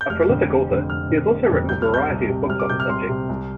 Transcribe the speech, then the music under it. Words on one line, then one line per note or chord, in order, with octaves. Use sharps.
A prolific author, he has also written a variety of books on the subject.
G6
F1 F6
F2 D3
F1
F2 D3
F1 F6
F2 D3
F1
F2 D3
C2 G6
F6
C3 G6
C2
C3
C2 F6
D6
C3 G6
F6
C2 C6
C3
C2